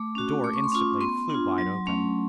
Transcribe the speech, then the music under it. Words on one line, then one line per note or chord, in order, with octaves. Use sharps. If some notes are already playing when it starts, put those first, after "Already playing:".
The door instantly flew wide open.
Already playing: A3 D6
C#4 F#4
A3 D6
C#6
C6
C#4 F4 C#6
B3 C6
D4 F4
F#3
A3 C#4